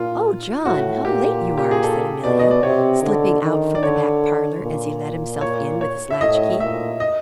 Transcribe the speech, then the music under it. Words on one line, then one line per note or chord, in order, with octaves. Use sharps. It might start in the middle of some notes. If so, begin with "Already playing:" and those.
"Oh, John, how late you are!" said Amelia, slipping out from the back parlour as he let himself in with his latch-key.
Already playing: A#2 F4
A2 F#4
A#2 G4
G4
G#4
A4
B2 D5
D#5
D5
C3 C#5
D3
D#3
D5
D3 C#5
A#2
C#5
C#5
E5
A2 D#5
A#2 E5
D#5